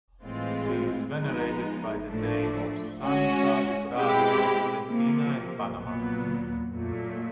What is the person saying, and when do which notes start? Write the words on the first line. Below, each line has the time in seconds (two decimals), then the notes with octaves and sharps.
She is venerated by the name of Santa Librada, in Argentina and Panama.
0.22 A2 E3 G#3 C4 F4
1.16 F3 G#3 B3 D#4
2.08 A2 F3 A3 D4
3.01 G#3 C#4 F#4
3.93 B2 G#3 C4 E4 G4
4.86 C3 F3 A#3
5.78 A#2 F#3 B3
6.72 A#2 F#3 A3